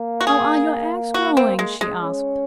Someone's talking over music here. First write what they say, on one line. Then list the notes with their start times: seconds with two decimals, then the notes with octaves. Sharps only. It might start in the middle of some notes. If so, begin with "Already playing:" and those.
"How are your eggs growing?" she asked.
Already playing: A#3
0.21 F#4
0.27 G#4
1.14 F#4
1.37 C4
1.59 G#3
1.81 G#3
2.02 C#4